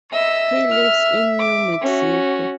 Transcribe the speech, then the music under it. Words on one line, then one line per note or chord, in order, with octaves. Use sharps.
He lives in New Mexico.
D#5 E5 E6
F6
D6
C#4 F#4